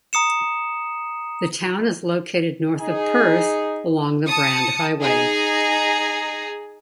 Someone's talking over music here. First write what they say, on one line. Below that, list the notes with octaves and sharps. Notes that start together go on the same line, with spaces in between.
The town is located north of Perth along the Brand Highway.
A#5 D#6 C#7 E7
D#4 G#4
A5 D#6 C#7
D#4 G#4